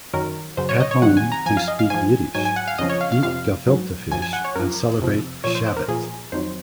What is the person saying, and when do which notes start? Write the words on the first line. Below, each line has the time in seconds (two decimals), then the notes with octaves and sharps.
At home, you speak Yiddish, eat gefilte fish, and celebrate Shabbat.
0.13 F#2 D#3 F#3 A#4
0.57 F#2 C#3 F#3 C5
0.69 C#5
0.80 D#5
0.91 C#5
1.02 F2 C3 D#3 F#3 F#5
1.17 G#5
1.32 A#5
1.46 F#2 F3 G#5
1.57 F5
1.68 D#5
1.79 F5
1.90 G#2 F3 G#5
2.34 G#2 F#3 G#5
2.45 G#5
2.56 F#5
2.68 F5
2.78 F2 C#3 F3 D#5
2.89 C#5
3.01 F5
3.12 F5
3.23 F2 C3 F3 F5
3.67 G#2 F#3
4.11 F#2 F3 G#5
4.22 G#5
4.33 F#5
4.45 C#5
4.56 F#2 F3 A#4
4.99 F2 C3 F3
5.44 A#2 F3 C#5
5.55 C5
5.66 C5
5.77 A#4
5.88 A#2 F3 G#4
6.32 F2 D#3 F#3 C5